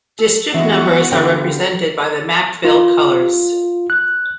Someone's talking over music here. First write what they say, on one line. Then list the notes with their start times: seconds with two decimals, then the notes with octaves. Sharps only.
District numbers are represented by the map fill colors.
0.19 A4
0.54 E3 G#3 B3 C#4 E4 F#4
1.12 D3 G3 F4 G5
2.65 F4
3.90 F#6